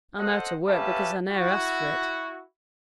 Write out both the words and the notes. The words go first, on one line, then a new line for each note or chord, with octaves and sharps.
I'm out o' work because I ne'er asked for it.
A4 C5 D#5 F#5
C#4 G4 B4 E5 F5 A5
E4 F#4